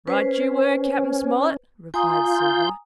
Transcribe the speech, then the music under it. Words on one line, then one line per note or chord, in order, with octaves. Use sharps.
"Right you were, Cap'n Smollett," replied Silver.
C#4 B4 C5
F4 G#5 A#5 D#6 G6